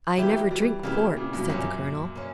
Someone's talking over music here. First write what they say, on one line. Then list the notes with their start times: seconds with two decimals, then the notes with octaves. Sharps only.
"I never drink port," said the colonel.
0.18 E3 G3 A#3 E4 G4
0.51 E3 G3
0.83 C#3 E3 A#3 E4 G4
1.17 A#2 C#3
1.33 G2 B2
1.50 F#2 A#2 A#3 C#4 G4
2.16 A#3 C#4